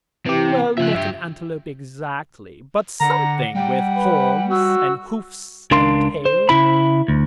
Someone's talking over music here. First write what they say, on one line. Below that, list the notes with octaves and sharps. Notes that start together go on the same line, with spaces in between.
"Well, not an antelope exactly, but something with horns and hoofs and tail."
C3 E3 G4
C#3 F3 E5 F#6
G2 G4 E5
D3 F#5 A#5
G3 F#5 G5
B4
F#4 E6
C#2 D4 A#4 F5 C6
C5
C#3 E4 B5
D2